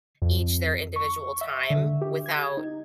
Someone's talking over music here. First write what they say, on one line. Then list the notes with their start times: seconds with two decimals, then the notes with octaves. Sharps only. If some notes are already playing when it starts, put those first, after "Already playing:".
each their individual time without
0.22 F2
0.96 C#6
1.41 E5
1.70 D3
2.01 G4
2.26 G#6
2.57 D#4